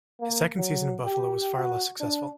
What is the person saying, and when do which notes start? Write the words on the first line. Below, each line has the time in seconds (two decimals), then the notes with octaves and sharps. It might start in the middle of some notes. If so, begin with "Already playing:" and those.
His second season in Buffalo was far less successful.
0.20 A#3
0.57 F#3
1.05 G4
1.56 F#4
2.00 D4